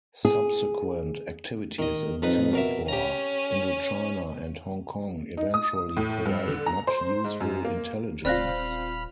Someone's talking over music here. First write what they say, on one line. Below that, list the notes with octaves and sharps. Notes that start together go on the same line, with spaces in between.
Subsequent activities in Singapore, Indo-China and Hong Kong eventually provided much useful intelligence.
G#4
D#3 D#5
F2 D#4 B4
B2 A#4 E5
C#4 G4 A#5
D#4
D#6
A2
G2
D3
A#5
C5
G#2
F#2
A#3
D#1 C4 F4 D5 B5 F6 F#6 A#6